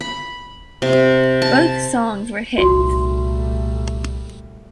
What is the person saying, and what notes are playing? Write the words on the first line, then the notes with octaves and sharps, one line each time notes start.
Both songs were hits.
B5
C3
A5
C2 A#2 G3 A3 D#4 F#4 C6